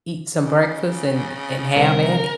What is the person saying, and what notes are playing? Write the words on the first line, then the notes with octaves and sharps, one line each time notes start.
eat some breakfast and and have at it.
C#3
C2 A#4